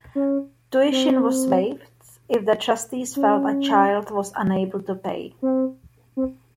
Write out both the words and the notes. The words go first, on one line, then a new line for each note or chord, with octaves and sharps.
Tuition was waived if the trustees felt a child was unable to pay.
C#4
C4
C#4
C4
C4